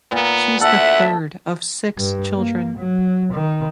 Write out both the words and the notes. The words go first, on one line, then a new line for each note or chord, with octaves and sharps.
She is the third of six children.
A#2 B3
D2 A4 E5 F#5
G2
A#3
F#3
D#3